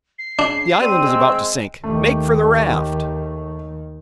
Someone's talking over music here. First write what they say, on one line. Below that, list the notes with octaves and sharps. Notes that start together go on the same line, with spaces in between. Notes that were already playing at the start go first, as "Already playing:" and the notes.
"The island is about to sink! Make for the raft!"
C7
C#3 D4
G3 C4 D#7
G#3 E6
D#2 D#3 A3 G4